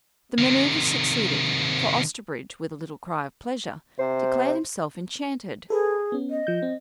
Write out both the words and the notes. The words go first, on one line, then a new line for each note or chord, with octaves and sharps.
The maneuver succeeded, for Osterbridge, with a little cry of pleasure, declared himself enchanted.
C3 D#3
C3 C5
G#4 A4 B4
B3 C#4
D#5
F3 G6
C4